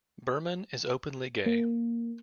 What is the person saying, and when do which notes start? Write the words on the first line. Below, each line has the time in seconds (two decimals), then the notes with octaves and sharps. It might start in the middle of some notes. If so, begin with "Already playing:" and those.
Berman is openly gay.
1.46 A#3